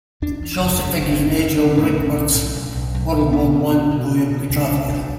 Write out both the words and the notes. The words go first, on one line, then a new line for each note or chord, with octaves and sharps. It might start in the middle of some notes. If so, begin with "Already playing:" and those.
She also figures in Edgell Rickword's World War One poem "The Traveller".
E2 D4
E2
F#1
C#3
F#1
F#1
E2
F#1
A2 C#4
B1
A2
A2
B1
B1
B1
A2
B2 B3
B2
B2
B2
B2
B2
C#2
B2
F#1 D4